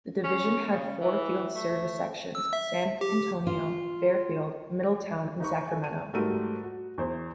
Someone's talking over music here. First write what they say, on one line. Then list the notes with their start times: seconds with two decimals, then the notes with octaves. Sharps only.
The division had four Field Service Sections: San Antonio, Fairfield, Middletown, and Sacramento.
0.24 C#4
0.72 C#3
1.01 E3
1.55 A3
2.35 E6
2.53 E5
3.01 G4
3.47 F4
5.40 D#4 B4 C#6
5.68 A4 G#5
5.84 D#7
6.13 G#2 G3 A3 F#4 A#4 D#7
6.63 F#4
6.98 E2 C5